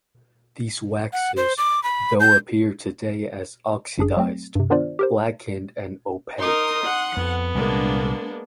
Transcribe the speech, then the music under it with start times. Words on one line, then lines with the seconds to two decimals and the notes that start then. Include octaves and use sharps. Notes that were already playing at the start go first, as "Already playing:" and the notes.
These waxes, though, appear today as oxidized, blackened and opaque.
1.13 F#5
1.37 C5
1.58 D6
1.83 B5
2.20 G6
3.98 G1 F#2 D4 G#4
4.17 F#3 A3 C4
4.55 G2 C3
4.70 D#3 B3 D4 F4 C5 D5
4.99 G4 A#4 C5
6.39 D#4 A#4 C6 D#6
6.85 F#5
7.17 F2 B3
7.55 C2 A#2 G#3 A#3 D4